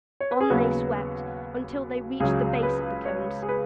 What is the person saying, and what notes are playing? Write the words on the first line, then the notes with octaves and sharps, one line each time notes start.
On they swept until they reached the base of the Cones.
C#5
B4
G#4
D#2 C#3 F#3 B3 F#4
C#2 C#3 F#3 G#4
B4
C#5
G#4
B4